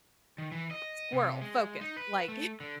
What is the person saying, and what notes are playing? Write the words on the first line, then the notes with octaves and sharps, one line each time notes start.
squirrel, focus, like
D#3
E3
D#5
C3
G#3
D#4
B4
A3
D3